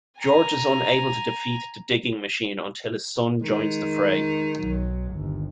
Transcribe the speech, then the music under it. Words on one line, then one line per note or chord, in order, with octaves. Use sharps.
George is unable to defeat the digging machine until his son joins the fray.
G#5 A#5
D#3 G#3
B1 F#3
G1 D#2